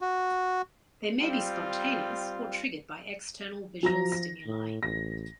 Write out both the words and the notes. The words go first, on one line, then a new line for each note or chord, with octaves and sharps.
They may be spontaneous or triggered by external visual stimuli.
F#4
G3 C4 F4
F3 F#3 A#5 A#6
A#6
A2
A1 A#6